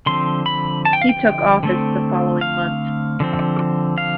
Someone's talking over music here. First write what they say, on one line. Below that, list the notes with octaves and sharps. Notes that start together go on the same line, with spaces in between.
He took office the following month.
D3 F3 C4 C6
B5
A5
G5
F5
G5
D3 A3 C4
F5
D3 F3 C4
F5